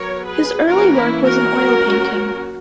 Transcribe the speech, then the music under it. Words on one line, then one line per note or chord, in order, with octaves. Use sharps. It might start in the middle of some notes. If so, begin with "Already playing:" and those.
His early work was in oil painting.
Already playing: F#3 B3 A#4 C#5
G#4 B4
E3 A#3 C#4 F#4 A#4
E4
F#4 A#4
F#3 A#3 C#4